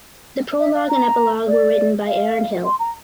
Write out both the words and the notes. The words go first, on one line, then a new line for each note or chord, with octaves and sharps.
The prologue and epilogue were written by Aaron Hill.
E5
F5
A#5
D5
F5
C6
A#5